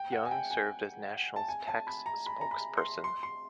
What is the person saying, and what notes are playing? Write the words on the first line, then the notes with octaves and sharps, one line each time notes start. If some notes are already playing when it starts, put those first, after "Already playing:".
Young served as National's tax spokesperson.
Already playing: G5
F#5
G#5
G5
G#5
A5
G#5
A5
B5
A#5
B5
A#5
B5
C6
C6
C6